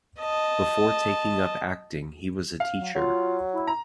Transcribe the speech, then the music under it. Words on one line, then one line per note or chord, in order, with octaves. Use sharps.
Before taking up acting he was a teacher.
D#5 A5
F5
F#3
F#3 F4
E4
A#5